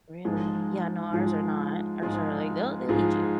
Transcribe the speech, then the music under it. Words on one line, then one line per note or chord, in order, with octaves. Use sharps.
Really? Yeah, no, ours are not. Ours are like they'll they'll eat you.
G#2 F3 G#3 F4 G#4
G#2 F3 G#3 F4 G#4
G#2 F3 G#3 F4 G#4
G#2 F3 G#3 F4 G#4